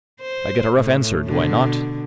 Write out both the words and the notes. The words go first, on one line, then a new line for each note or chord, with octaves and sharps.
I get a rough answer, do I not?
C5
A2
B2 D3